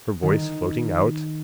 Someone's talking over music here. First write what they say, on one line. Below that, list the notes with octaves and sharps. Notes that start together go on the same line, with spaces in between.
Her voice floating out.
D#3